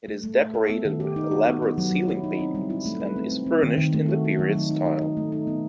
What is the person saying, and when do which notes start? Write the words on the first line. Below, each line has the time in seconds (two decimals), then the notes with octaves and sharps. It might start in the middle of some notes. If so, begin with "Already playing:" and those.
It is decorated with elaborate ceiling paintings and is furnished in the period style.
0.08 A3
0.24 A3
0.39 A4
0.54 A4
0.70 B3
0.85 D#3
1.00 G4
1.16 D#4
1.31 F#4
1.47 B3
1.62 B3
1.78 F#3
1.92 F#3
2.08 E4
2.24 D#4
2.39 C4
2.55 G3
2.70 E4
2.85 A3
3.00 B4
3.16 C4
3.31 C4
3.46 C4
3.63 D#3
3.78 D#3
3.94 A3
4.08 F#4
4.24 F#4
4.39 F#3
4.55 D#4
4.70 D#4
4.85 D#4
5.01 D#4
5.17 A3
5.32 D#4
5.47 B3